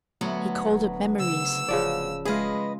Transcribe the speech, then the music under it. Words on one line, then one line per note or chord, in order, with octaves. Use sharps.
He called up memories.
D2 F#3 B3
D#1
C#3 E6
D1 C#3 F3 D5
G#3 F4 G#4 B4 D#5